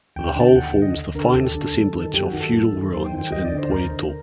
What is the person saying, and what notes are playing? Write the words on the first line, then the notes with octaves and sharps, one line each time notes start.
The whole forms the finest assemblage of feudal ruins in Poitou.
D#2 G5
D3 A5
G5
D#2 F#5
D3
D#5
D#2
D3 A#4
A4
G4
D#2 A4
D3
F#2
D#3
F#2 G4
F#4
D#3
A4
F#2
D#3
F#2 C5
G5
D#3
G5
D#2 D#5
D5
D3
C5
D#2 A#4
D3